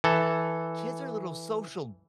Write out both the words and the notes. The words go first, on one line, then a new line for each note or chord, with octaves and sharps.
kids are little social
E3 A4